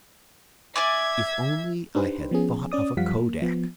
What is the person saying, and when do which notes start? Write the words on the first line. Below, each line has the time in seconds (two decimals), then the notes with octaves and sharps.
If only I had thought of a Kodak!
0.76 D5 E5 G#5 D6 G#6
1.95 D4 D#4 G4 B4 C5
2.31 F3 B3 C#4 G#4
2.72 C#4 D5 D#6
2.97 F#2 F3 G3 F5 F#5 B6
3.17 A#3
3.42 F3 B3